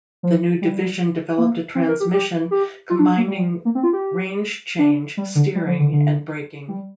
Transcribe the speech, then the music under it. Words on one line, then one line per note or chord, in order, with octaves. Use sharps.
The new division developed a transmission combining range change, steering and braking.
F3
G3
A#3
C4
A#4
G4
G4
G4
F4
D4
A#3
G3
A#3
C4
F4
G4
D4
G3
D3
G3
F3
D3
D3
G3